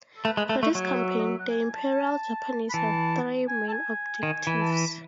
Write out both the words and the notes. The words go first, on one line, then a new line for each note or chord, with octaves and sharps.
For this campaign, the Imperial Japanese had three main objectives.
A4
A3 B4
G#3
A3
A3
F#3 C#5
E5
D#5
E5
F#5
G#5
A5
B5
E3 A5
G#5
A5
G#5
D#3
E3
A5
B5